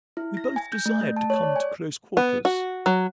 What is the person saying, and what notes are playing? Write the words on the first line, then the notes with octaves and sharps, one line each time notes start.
We both desired to come to close quarters.
E4
A#6
G#5
G6
A3
A3
A5
C#5
D5
G#5
B3
F#4
F#3